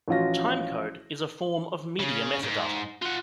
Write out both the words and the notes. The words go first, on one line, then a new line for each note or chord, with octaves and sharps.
Timecode is a form of media metadata.
A1 F3 C#4 F4 F#4 A#6
C#3
G#2
F4 F#5